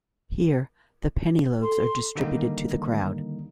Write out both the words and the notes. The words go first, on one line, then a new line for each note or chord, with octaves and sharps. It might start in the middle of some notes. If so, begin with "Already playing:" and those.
Here, the penny loaves are distributed to the crowd.
A4 C6
D3 D#3 G3 A#3 D#4